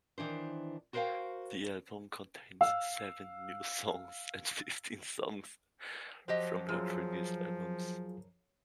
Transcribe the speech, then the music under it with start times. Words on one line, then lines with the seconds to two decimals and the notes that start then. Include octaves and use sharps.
The album contains seven new songs and fifteen songs from her pervious albums.
0.18 D#3 E3 D4 C5
0.93 F#4 A#4 C5 D5 F5 G5
2.61 F5 E6
6.28 F3 F#3 G4 C5 D#5
6.69 F#2 F#3 F4 G#4